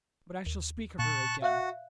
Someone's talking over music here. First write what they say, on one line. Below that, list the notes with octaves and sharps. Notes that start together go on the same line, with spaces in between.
But I shall speak of her again.
D#2
A#2 A5 C#6 F#6
F#4 E5 F5 F#6